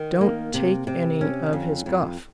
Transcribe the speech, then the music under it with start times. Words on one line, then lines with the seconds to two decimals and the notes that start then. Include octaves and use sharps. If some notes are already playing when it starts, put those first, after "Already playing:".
"Don't take any of his guff!"
Already playing: D#3
0.21 A#3
0.54 C3
0.87 C3
1.21 C#4
1.53 F2
1.86 F2